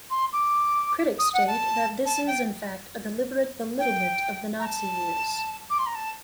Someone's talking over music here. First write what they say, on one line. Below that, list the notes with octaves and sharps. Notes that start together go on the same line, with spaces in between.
Critics state, that this is in fact a deliberate belittlement of the Nazi years.
C6
D6
D#6
F#5
A5
A5
G5
G5
A#5
A5
D6
C6
A#5
A5